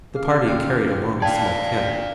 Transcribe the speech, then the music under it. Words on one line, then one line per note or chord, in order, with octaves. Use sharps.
The party carried along a small cannon.
C#4 G#4 F5 F6
D#2 A#2 D6
D4 D5 F5 G5 A5 G#6